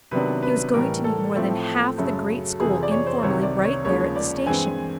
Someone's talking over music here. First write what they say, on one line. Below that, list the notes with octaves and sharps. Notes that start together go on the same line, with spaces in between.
He was going to meet more than half the great school informally right there at the station.
C3 D#3 F#3 B3 D4 B4
B4
A2 E3 G3 A#4
A4
A2 F3 A3 C4
F#2 C#3 F#3 A3
F2 C3 E3 G#4
D5
C#5
C5
C2 C3 D#3 C#5
D5
C#5
D#2 C#3 F3 G#3 C#5
D5
G2 E3 G#3 C4 G#5